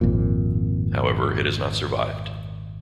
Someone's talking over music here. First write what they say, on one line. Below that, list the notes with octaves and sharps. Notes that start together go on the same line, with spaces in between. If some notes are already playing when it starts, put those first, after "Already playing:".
However, it has not survived.
G#1 F2 A#2